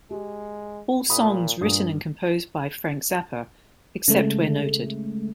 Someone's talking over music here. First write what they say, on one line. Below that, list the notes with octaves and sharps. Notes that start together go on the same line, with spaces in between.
All songs written and composed by Frank Zappa, except where noted.
G#3 G4
A#2 B5 D#6
G2 A#2 D#6
C#3 G#3 A3